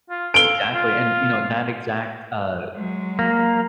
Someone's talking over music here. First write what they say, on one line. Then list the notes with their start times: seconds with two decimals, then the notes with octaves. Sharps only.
Exactly and, you know, that exact, uh,
0.10 F4
0.34 F5 D7 G7
0.74 F4
2.76 F#3 G#3
3.19 A#3